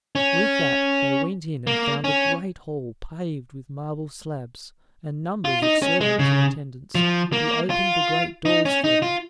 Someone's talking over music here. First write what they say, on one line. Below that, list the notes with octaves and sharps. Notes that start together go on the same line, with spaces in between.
With that they went in and found a great hall paved with marble slabs, and numbers of servants in attendance, who opened the great doors for them.
C#4
A#3
C#4
F4
D#4
C#4
G#3
C#3
F3
A#3
F4
D#4
C#4
D#4
F4